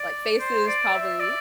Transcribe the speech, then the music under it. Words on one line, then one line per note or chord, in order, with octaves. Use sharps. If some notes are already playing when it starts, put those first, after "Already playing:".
like faces probably
Already playing: D5
C5
D5
E5
D5